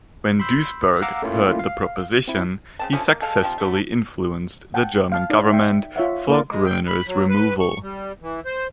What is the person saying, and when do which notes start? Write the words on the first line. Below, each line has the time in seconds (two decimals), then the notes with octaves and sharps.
When Duisberg heard the proposition, he successfully influenced the German government for Groener's removal.
0.39 B5 C6 E6 G6
1.02 F5 F#5 A#5 D6 E6
1.22 A3 A#3 C#4 E4 F4
1.59 F5
2.28 C4 E4
2.79 C#3 C4 A5
2.93 D3 F3 C#4 E4
3.07 A#3
3.21 G#3 A4 F5
3.42 C3 F3 C4 F4
3.58 D3 F#3 A3
4.74 F#5 G5 A5
5.12 F5 A5
5.30 D#4 D5
5.51 E5 G5
5.96 F4 C#5 E5 F#5
6.29 A#3 E4 A#4 D5
6.49 G#3
6.66 G5
6.88 B5
7.07 F#3
7.29 B4
7.60 C#6
7.82 G3
8.22 E3
8.45 C5